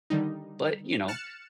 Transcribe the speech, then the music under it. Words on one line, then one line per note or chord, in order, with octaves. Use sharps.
But, you know,
D3 D#3 G3 D#4
F6 F#6 A6 C#7 E7